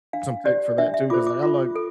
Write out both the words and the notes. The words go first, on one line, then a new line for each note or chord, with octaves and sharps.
some tech for that too, 'cause, like, I like
D4 F5
G4 C5 D5
D4 E5
E5
F4 A4 C5 D6
D6
F4
A4